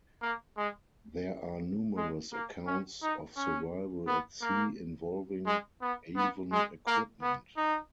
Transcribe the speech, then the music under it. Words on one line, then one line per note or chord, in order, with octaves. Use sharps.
There are numerous accounts of survival at sea involving Avon equipment.
A#3
G#3
G#3
A#3
C#4
D#4
C#4
B3
A#3
G#3
B3
B3
G#3
A#3
B3
D#4